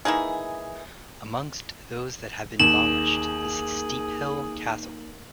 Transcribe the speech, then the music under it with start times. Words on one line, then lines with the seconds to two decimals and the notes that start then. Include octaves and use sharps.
Amongst those that have been demolished is Steephill Castle.
0.05 E3 A#3 D#4 G#4
2.60 D#2 G#4 E7 F#7